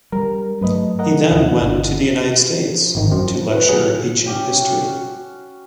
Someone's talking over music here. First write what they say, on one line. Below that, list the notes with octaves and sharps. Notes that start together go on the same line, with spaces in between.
He then went to the United States to lecture ancient history.
G3 A#4
G2 F#3 A3 B4 D#5
A#4 D#5 F#5
D#2 C3 E4 D#5 F#5
G1 D4
F3
G#1 D#3
F#2 F3 C4
B4
F#3 G#4
C#4 G4 G5
F#4